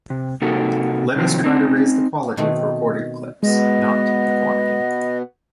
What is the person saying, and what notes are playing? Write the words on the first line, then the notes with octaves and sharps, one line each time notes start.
Let us try to raise the quality of the recorded clips, not the quantity.
C3
C3 A#3 D#4 F#4 A4
C3 D#3 F3 F#3 C4
C4 D#4
B2 D#3 A3 C4
B2 G#3 B3 D#5